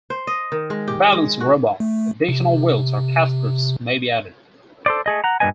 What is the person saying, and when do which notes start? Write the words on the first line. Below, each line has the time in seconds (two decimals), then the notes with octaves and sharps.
To balance the robot, additional wheels or casters may be added.
0.10 C5
0.27 D#5
0.52 D#3
0.70 G#3
0.88 G4
1.12 G#3
1.40 F#4
1.80 A3
2.29 C3
4.86 A4 C5 D5
5.06 A3 G#4 D#5
5.24 F#5 A#5
5.40 G2 A#2 A#3 B4 D#5 G#5